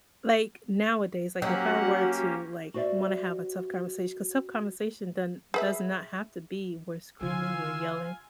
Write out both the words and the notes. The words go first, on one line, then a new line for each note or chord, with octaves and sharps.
like, nowadays, like, if I were to, like, h wanna have a tough conversatio 'cause tough conversation doesn't does not have to be, "we're screaming, we're yelling,"
F#3 A#3 C#4 G4 F#5
F#4 G4 C5 D5 E5
G#4 B4 E5
D3 E4 F4 G#5 E6